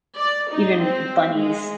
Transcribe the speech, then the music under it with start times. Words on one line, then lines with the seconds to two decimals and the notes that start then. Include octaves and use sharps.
even bunnies.
0.17 D5
0.52 D#4
0.82 C4
1.35 G#3